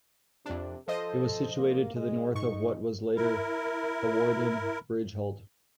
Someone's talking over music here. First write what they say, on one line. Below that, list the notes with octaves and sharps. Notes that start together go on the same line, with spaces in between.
It was situated to the north of what was later Hawarden Bridge Halt.
F2 C3 D4
F3 A4 C5 D#5
A#3
G#3
G#2 D#4 C#6
E4 A#4